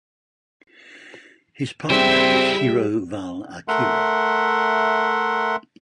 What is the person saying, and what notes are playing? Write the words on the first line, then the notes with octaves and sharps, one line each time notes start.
His partner is Hiro val Akira.
G3 C4 E4 G#4 C5 E5 G5
A3 A#4 E5 F#5 C6